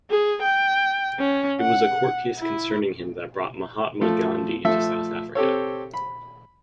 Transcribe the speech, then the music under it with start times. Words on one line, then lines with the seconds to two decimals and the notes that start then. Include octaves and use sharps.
It was a court case concerning him that brought Mahatma Gandhi to South Africa.
0.10 G#4
0.43 G5
1.19 C#4
1.61 F#5
2.38 E4
4.01 F3 A3
4.65 F3 A3 A4 E5
5.35 C4 G4 A4 C#5
5.94 B5